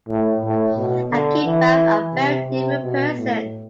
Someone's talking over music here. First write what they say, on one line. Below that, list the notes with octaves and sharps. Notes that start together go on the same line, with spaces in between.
I came back a very different person.
A2
A2
B2
D3
E3
C3
C3
B2
A2